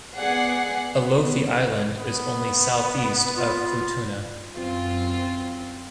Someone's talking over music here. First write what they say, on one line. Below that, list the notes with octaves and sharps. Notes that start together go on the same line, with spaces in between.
Alofi island is only southeast of Futuna.
B3 G#4 D5 F#5 C7
B3
B3
F4
F#2 C4 F4